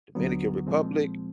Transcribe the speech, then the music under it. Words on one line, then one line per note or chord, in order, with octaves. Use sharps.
Dominican Republic,
D2 D3 F#3 B3
A#2 F3 G#3 C4